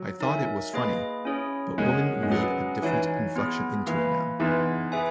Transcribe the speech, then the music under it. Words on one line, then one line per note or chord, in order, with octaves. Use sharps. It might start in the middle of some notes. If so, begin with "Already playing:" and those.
I thought it was funny, but women read a different inflection into it now.
Already playing: F#3
D#4 A#4 E5 G#5
A#3 E4 G#4 B4 D#5
C#4 E4 G#4 C#5
G#3 C#4 F#4 A#4 C#5 F#5
G#3
F#3 C#4 G#4 B4 F#5
E3 D#4 F#4 C#5 G#5
B3 E4 G#4
E3 A#3 E4 B4
E3 B3 D#4 G#4
G#4 B4 E5 G#5